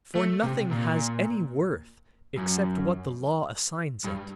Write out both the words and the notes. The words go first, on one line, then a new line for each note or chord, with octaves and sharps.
For nothing has any worth except what the law assigns it.
A3
C3
A#2
F#2
G2